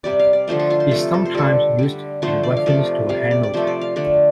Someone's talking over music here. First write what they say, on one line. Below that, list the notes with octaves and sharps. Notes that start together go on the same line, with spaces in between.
It's sometimes used in reference to a hangover.
C3 G3 D5
F5
D5
D3 F3 A3 C5
A4
F4
C5
C3 F3 A3 A4
A4
C5
D3 G3 A4
D3 G3
D3 F3 A3 C5
D5
F5
C3 F3 A3 D5
C3 G3 F5
D5
D5
C3 F3 A3 C5
D5
F5
D3 A3 D5